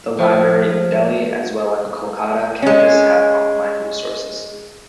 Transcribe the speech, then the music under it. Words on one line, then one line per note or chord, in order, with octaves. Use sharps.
The library in Delhi as well in Kolkata campus have online resources.
F3 A3 C5
G#3 C#4